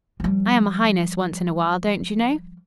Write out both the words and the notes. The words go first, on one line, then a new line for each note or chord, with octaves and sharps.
"I am a highness once in a while, don't you know?"
F3 G3